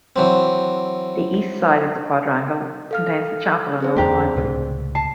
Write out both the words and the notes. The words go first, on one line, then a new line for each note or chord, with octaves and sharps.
The east side of the quadrangle contains the chapel and old library.
E3 F#3 C4
A4 F5 F6
C4 G#4 C5
E2 A#3 D4 G4 A#5
C#2 A2 C3
A5 C7